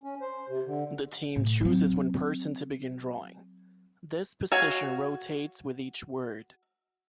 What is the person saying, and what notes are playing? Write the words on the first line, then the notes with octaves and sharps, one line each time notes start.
The team chooses one person to begin drawing; this position rotates with each word.
C#4
C5
C3
D3
A2
F#3 C4
F#4 C#5 F5 G#5